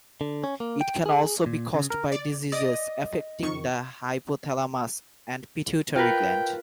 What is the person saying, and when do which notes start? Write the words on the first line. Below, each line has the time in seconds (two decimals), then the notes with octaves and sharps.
It can also be caused by diseases affecting the hypothalamus and pituitary gland.
0.21 D3
0.44 C#4
0.60 A#3
0.81 G5
1.06 G#4
1.46 A#2
1.74 C#3
1.90 A#4
2.12 D5
2.52 D5 D#5 D#6
3.42 F2 D#3 C#6
5.96 F4 A#4 B4 G5